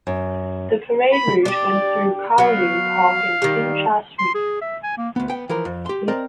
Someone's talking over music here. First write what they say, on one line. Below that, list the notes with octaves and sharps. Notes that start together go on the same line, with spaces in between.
The parade route went through Kowloon Park in Tsim Sha Tsui.
F#2
B5
D4 G4 D5
F#3 B3 F5
D#3 G3
C6
G#4
E5
G#5
A#3
D2 B3
B3 G5
E3 F3 A#4
F2
G4 C6
C4 A#4 D5 D#5 A#5